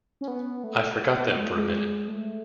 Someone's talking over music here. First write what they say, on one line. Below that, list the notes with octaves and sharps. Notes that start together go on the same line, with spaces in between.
I forgot them for a minute.
C#4
B3
A3
B3
G#3
A3
G#3
A3